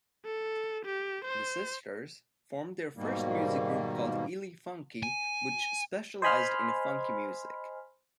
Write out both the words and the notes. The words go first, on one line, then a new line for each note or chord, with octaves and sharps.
The sisters formed their first music group called Elefunky, which specialized in funky music.
A4
G4
C5
G#2 B2 D#3 G3 A#3
G#5
C5 D#5 G#5 B5 C6 F6